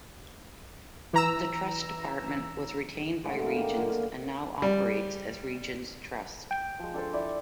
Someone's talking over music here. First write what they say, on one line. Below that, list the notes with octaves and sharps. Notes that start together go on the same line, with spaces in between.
The trust department was retained by Regions and now operates as Regions Trust.
E3 A#5 E6
A2 D3 E3 G#3
A#4 F5
D#3 A#3 G5
F#2 D3 A#4
F5
G3
G5
F3 G#3
D4 A4 C5
E4 D5